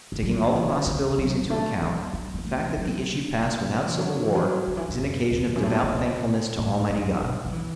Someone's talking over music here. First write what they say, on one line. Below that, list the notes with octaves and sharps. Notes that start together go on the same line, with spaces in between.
Taking all the possibilities into account, the fact that the issue passed without civil war is an occasion of devout thankfulness to Almighty God.
D3
F#3
E3
D3
B2
F#3
D3
D3
F#3
F#3
A3
F#3
F#3
E3
A3
F#3
A3
F#3
E3
F#3
E3
F#3
D3
E3
D3
F#2
E2
F#2
A2
B2
D3
B2
A2
F#2
B2
F#3
E3